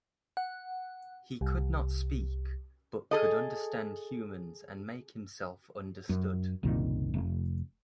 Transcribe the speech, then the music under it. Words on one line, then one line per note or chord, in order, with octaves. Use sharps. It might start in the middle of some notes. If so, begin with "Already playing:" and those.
He could not speak, but could understand humans and make himself understood.
F#5
C2
G#4 A4 D#5
F#2
F#1 C2 A#2 D#3
F1